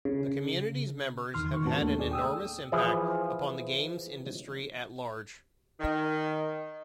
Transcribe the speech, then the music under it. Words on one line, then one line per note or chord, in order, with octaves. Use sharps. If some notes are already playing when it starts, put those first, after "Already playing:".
The community's members have had an enormous impact upon the games industry at large.
C#3
E2 D#3 C6 F6
D#3 C#6
A2 B3 C#4 F#4 A5
D#2 A3 A#3 D4 A4
G#4 D5
G5 D#6 E6
E3 F3 E4 G#4
D#3